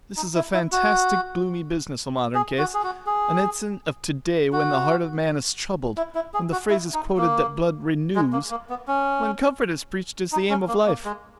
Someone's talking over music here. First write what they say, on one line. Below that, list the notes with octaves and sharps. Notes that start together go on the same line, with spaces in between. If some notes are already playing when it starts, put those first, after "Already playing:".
This is a fantastic, gloomy business, a modern case, an incident of to-day when the heart of man is troubled, when the phrase is quoted that blood 'renews,' when comfort is preached as the aim of life.
D#4
E4
E4
F#4
G#4
F#4
G#4
F#4
G#4
F#4
E4
E4
G#4
F#4
E4
D#4
A#3
G#3
A#3
A#3
B3
C#4
D#4
C#4
A#3
A#3
G#3